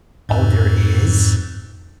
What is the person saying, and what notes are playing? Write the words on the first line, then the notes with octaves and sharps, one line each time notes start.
Oh, there is?
F2 G#2